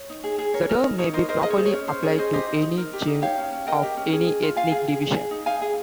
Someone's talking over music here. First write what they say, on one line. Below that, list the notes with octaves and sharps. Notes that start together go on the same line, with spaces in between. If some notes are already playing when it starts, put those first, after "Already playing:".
The term may be properly applied to any Jew of any ethnic division.
Already playing: C#5
D#4
G#4
G#4
A#4 C#5
A#4
D#4
D#4 C#5
A#4 C5 D#5
A#4 C5 D#5
G#4 D#5
C#5
G#4 C5
C#5
C#4
C#4 C5
G#4 C#5
G#4 C5 D#5
G4 C5 D#5
D#4
D#4
A#4
G4
D#4
G4 C#5 F5
C#4
C#4
A#4 D#5 G5
G4
C#4
G#4
G#4
F4
F4 F5 G#5
G#4
G#4
G#4
G#4
D#4
D#4 F5 G#5
G#4